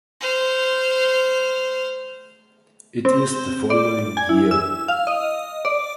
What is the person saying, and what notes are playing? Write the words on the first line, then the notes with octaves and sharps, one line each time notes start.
It is the following year.
C5 F6
C4
D5
G#5
E4
E6
F5
D#5
D5